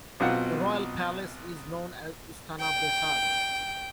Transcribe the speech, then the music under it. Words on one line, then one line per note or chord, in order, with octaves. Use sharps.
The royal palace is known as "Istana Besar".
B1 B2 C4 F4 F#5
G5